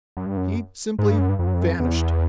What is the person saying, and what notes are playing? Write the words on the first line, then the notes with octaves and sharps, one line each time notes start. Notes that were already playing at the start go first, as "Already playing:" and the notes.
He simply--vanished.
F#2
G2
F#2
G#2
G2
F#2
G2
F2
F#2
F2
F#2
F2
E2